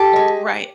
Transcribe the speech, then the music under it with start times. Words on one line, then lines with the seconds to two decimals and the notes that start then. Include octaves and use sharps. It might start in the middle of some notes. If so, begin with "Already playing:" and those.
M Right.
Already playing: G4 A4
0.16 G#3